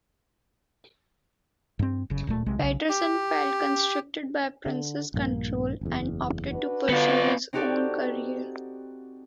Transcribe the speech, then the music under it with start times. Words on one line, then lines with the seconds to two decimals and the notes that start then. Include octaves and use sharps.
Peterson felt constricted by Prince's control and opted to pursue his own career.
1.79 G2 C4
2.10 F#1 C#3
2.27 D1 A#2 A3
2.46 B1 C3 G#3
2.59 B1 C#3
2.89 G4
4.66 D3
5.14 A#1 G2 A#3
5.81 F#1 E2
6.51 D4 F#4 B4
6.89 D3 B3 F4
7.53 C4 D#4 F#4 G4 A4 D5